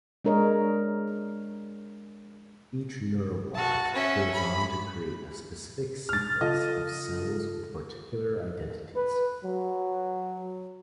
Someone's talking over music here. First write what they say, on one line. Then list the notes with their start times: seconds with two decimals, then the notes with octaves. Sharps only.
Each neuroblast goes on to create a specific sequence of cells with particular identities.
0.25 G#3 D4 A#4 C#5 D#5
3.55 F#4 A5
3.94 C#4 E5
4.34 B5
6.09 F6 A6
6.41 C#3 F4 A4 D#5
8.96 B4
9.44 F#3